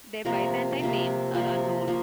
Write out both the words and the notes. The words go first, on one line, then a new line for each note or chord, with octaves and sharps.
Their Byzantine names are unknown.
C3 F3 A#3 A#4
C3 F3 A#3
C3 F3 A#3
F3 A#3